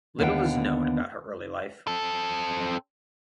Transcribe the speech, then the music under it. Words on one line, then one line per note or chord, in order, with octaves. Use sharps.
Little is known about her early life.
D#2 D3 B3 D#5 F5 G5
C4 A4